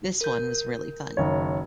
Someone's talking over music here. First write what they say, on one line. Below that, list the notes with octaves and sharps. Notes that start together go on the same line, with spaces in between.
This one was really fun.
A#4 G6
F#1 D#3 C#5